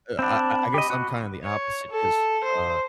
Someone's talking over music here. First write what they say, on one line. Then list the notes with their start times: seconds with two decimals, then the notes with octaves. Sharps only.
uh, I I guess I'm kinda the opposite, 'cause, uh,
0.19 C4 D4 B5
0.74 G4 D#5
0.90 F#4
1.44 C#5
1.91 A4
2.44 C5